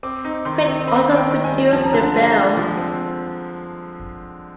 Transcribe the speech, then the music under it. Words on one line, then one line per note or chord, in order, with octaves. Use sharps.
Pitt also produced the film.
C4 D6
D#4
D#3 C6
C4
C4 B5
D#3
G5
D#3
G#5
G3
F3 A5
A#5
D3
A5
G#3
G#3
F3
C4